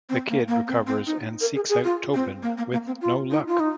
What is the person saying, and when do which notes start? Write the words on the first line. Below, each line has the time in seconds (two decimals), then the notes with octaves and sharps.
The kid recovers and seeks out Tobin, with no luck.
0.09 C4
0.29 A#3
0.48 A#3
0.68 C4
0.87 C4
1.07 D#4
1.41 A#4
1.55 G#4
1.69 G#4
1.84 F4
2.14 C4
2.42 A#3
2.58 A#3
2.72 A#3
2.87 C4
3.01 F4
3.31 D#4
3.48 F4
3.60 D#4